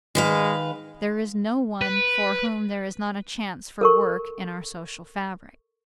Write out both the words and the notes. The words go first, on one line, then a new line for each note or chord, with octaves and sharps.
There is no one for whom there is not a chance for work in our social fabric.
D#3 G#3 B4 F5
B4
A4 A#4 C#6